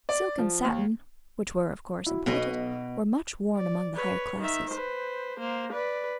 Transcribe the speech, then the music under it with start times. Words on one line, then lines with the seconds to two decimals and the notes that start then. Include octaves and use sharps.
Silk and satin, which were of course imported, were much worn among the higher classes.
0.09 D5
0.38 F3
0.65 D#2
2.06 E4 F#4
2.26 B1 B2 B4 D#5
3.56 D5
3.95 B4 C#5
4.40 D#3 E5
4.71 B4 C5
5.39 A#3 C5
5.72 B4 D5